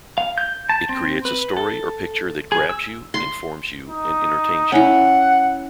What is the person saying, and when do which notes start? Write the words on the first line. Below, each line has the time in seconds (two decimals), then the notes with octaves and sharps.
It creates a story or picture that grabs you, informs you and entertains you.
0.18 F5
0.38 G6
0.69 A5
0.89 C4
1.25 B4
1.57 A4
2.52 G#4
2.69 E6
3.14 C6
3.88 D#4
4.72 C#4 E4 F#5